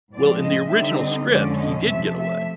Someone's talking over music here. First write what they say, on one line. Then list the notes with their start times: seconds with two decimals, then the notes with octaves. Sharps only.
Well, in the original script, he did get away,
0.13 A2 F3 G#3 C4 D5
0.42 D#5
0.71 D3 G3 C4 D#4 E5
1.00 D#5
1.29 F2 D3 F3 G#3 C#4 D5
1.58 D#5
1.87 C3 F3 A3 E5
2.17 E5